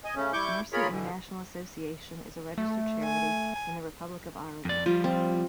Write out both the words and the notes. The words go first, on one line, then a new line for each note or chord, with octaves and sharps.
Mercy International Association is a registered charity in the Republic of Ireland.
D#5 G#5
C#3 A3 C#4
G3 E4 C#6 D6 G6
F4 G#4 A#4 C#5 B5
B2 D3 E3
A3
G#5
F2 D5
F3 G3 F4
C4